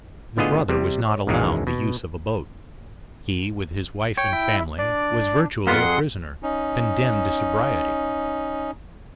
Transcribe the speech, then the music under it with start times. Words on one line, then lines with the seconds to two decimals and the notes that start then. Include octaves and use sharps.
The brother was not allowed the use of a boat; he, with his wife and family, was virtually a prisoner, condemned to sobriety.
0.37 A2 D3 B3 F4 G#4 D#5
0.69 C3 G3
1.05 C#5
1.27 B1 F#2 D#3 E3 G#3
1.67 B2
4.18 C#5 G5
4.33 E4
4.79 D4 D5
5.67 F2 A#3 B3 F4 F#5 C6
5.82 G#4
6.43 C#4 D#4